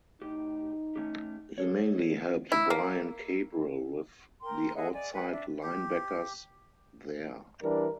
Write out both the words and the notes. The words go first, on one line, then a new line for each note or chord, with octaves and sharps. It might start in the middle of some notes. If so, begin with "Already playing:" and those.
He mainly helped Brian Cabral with the outside linebackers there.
A2 D#4 G4
A3 C#4 G4
G#4 A4 C#5
E4
A#3
A#4 G5 C6
G#4 D#5 E5 F#5
D5 G#5
B4 G5 G#5
D4 E5
G4
E3 G3 D4 A#4